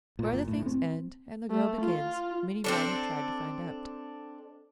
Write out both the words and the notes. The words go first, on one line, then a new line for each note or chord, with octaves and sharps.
Where the things end and the girl begins many men have tried to find out.
A#2
F#1
A2
C4
A3
F4
C4 D4 A4